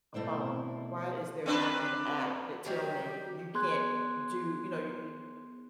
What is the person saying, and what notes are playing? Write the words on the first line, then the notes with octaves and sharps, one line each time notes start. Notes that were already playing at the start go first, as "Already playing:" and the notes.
a phone. Why is there not an app that tell me, 'You can't do'" you know, y
B2 A3 E4 C5 D5
C4 D4 B4
D#3 F#3 G3 G4
B3 G#4 C6 F#6 G#6